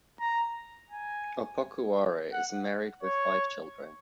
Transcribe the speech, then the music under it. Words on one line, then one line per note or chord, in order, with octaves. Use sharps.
Opoku Ware is married with five children.
A#5
G#5
F#5
C#5